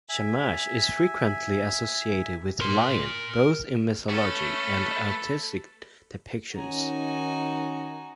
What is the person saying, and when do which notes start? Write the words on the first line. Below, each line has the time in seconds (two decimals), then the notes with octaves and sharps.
Shamash is frequently associated with the lion, both in mythology and artistic depictions.
0.09 E5 G#5
2.61 A#4 C6
4.09 A3 C#4 A4 B4
6.56 D#3 C#4 D#4 F#4 G#5 A#5